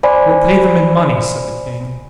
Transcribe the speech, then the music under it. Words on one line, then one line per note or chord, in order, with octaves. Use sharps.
We'll pay them in money--said the king.
C5 D5 G#5 B5